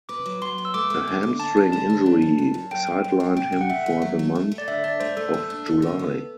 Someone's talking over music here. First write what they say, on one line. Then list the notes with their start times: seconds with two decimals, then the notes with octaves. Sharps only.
A hamstring injury sidelined him for the month of July.
0.09 B4 D6
0.26 F#3
0.42 F#3 C6
0.58 B3
0.65 E6
0.74 A3 D6
0.90 A3
1.07 D3
1.23 D3
1.40 D4 A5
1.57 D4
1.72 D3 A5
1.90 D4
2.06 F#2
2.22 F#2
2.38 F#2
2.54 F#2
2.71 F#2 G5
2.87 F#2
3.04 F#2
3.20 F#2
3.37 C3 G5
3.52 A3
3.61 F#5
3.69 C3 E5
3.86 A3
4.02 F#3
4.19 A3
4.35 A3
4.52 A3
4.58 D5
4.68 D3 E5
4.84 D4 D5
5.00 A3 C5
5.17 A3 A4
5.34 A3
5.50 D4
5.66 A3
5.82 D3
5.99 B3